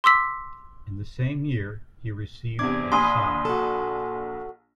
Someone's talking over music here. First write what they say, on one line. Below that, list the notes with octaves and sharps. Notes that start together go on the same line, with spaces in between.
In the same year, he received a Sci.
C6 D6 E6 B6
E2 C3 D4 D6 G#6
A#1 G#5 B5 C6 D#6
F#4 A4